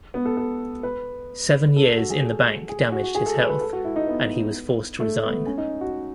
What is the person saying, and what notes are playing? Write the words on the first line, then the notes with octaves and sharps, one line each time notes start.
Seven years in the bank damaged his health, and he was forced to resign.
B3
A4
A4
B4
A4
F#4
G#4
A4
G#4
F#4
F#4
G#4
A4
B4
B4
A4
F#4
E4
D#4
B3
A3
B3
C#4
D#4
F#4